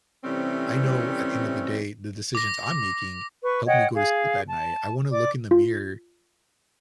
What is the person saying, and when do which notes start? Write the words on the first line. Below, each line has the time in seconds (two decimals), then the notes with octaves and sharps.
I know at the end of the day, the decisions I'm making help me go to sleep at night. I wanna look in the mirror,
0.24 C3 E3 G3 A3 C4 C#4
2.35 D6 A#6
3.43 B4 C#6
3.67 C#5 D#5 F#5 G5
3.95 G#4 F5
4.47 A5
5.11 D5 D6
5.51 F4